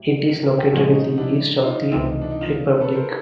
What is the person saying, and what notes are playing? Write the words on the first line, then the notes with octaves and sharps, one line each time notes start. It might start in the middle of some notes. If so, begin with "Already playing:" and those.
It is located in the east of the republic.
Already playing: A2 F#3 E4 G4
G#4 A#4
G4 A4
A#2 F3 G#3 C#4 F#4 G#4
D#4
D#4
D4 E4
D#4 F4
C#2 C3 E3 A3 C4 D#4 F4
D#4
D4
D#4
D#4 F4
A4 B4
A#4 C5